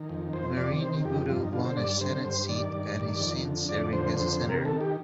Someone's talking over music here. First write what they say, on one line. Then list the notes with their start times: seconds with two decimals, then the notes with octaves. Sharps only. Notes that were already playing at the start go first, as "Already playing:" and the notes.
Marini Bodho won a senate seat and is since serving as a senator.
Already playing: D#3
0.09 F2
0.33 F2 C5
0.57 C3 D5
0.81 D#3 C5
1.05 F2 G4
1.29 G2 F4
1.41 D#4
1.53 D3 F4
1.65 C5
1.77 G2 D5
2.01 D3 C5
2.25 G2 C5
2.48 D#3 D5
2.72 G2
2.97 D#3
3.20 F2
3.45 D3
3.69 F2 D5
3.93 D3 C5
4.17 F2 C5
4.33 C5
4.41 C3
4.49 A#4
4.65 D#3 A4
4.81 G4